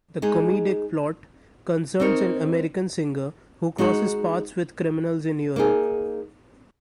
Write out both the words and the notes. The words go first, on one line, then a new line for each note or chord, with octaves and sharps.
The comedic plot concerns an American singer who crosses paths with criminals in Europe.
G#3 D#4 G#4
C4 D#4 A#4 C#5
G#3 D#4 F#4
A#3 D#4 G#4